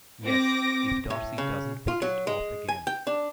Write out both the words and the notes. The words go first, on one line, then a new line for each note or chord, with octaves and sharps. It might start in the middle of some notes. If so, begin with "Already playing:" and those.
Yes — if Darcy does not put it off again.
C4 D6 A#6
A2
C#3
F4
F#3
G#3
G#5
G5
D4